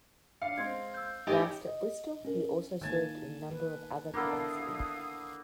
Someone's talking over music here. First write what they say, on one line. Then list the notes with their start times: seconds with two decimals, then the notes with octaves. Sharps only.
Whilst at Bristol, he also served in a number of other capacities.
0.42 D4 F5 C#7
0.57 G#3 C4 G#6
0.94 E6 G6
1.27 A1 D#4 G4 A#4 D#5 G#5
1.67 D#5
2.25 C#4 A#4
2.81 D#3 A#3 G#5 A5
3.51 B4
4.14 A#3 B3 D4 E4 A4 F5 D#6